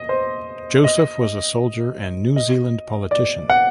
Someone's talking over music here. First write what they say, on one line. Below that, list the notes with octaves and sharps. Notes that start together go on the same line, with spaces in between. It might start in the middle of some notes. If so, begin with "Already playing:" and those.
Joseph was a soldier and New Zealand politician.
Already playing: D#5
C5
D#5
D#5
D5
F#5